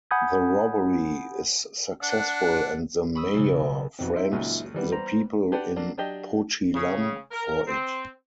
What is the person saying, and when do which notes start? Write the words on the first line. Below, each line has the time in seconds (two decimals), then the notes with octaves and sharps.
The robbery is successful and the mayor frames the people in Po-chi-lam for it.
0.11 F#5 G#5 B5 D#6 G6 G#6
2.02 D4 F#5
3.15 B5 C#6 D#6 E6
3.34 B1 C#3
3.99 F2 B2 E3 C4 D#4
4.16 D#4 C5 E5
4.32 C#2 F#2 A#2
4.74 D#3 E3 G3 B3
4.92 C5 A#5
5.52 D4 G4 B4 D5 F#5
5.76 F#3 A#3 D4
5.98 F#3 D4 G4 D#5
6.75 C#3
7.31 A#4
7.68 C4